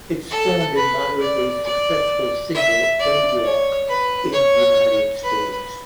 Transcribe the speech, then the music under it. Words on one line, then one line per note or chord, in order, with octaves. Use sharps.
It spawned the moderately successful single "A Walk" in the United States.
A4
B4
D5
D5
E5
D5
C#5
B4
C#5
B4